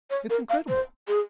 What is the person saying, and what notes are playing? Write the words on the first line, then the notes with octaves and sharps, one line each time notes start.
It's incredible!
C#5
A#4
F5
C5
G#4